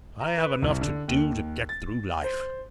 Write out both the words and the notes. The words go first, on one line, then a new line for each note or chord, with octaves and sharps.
I have enough to do to get through life.
A#5
B4
C2
D3
D#2
A6
C5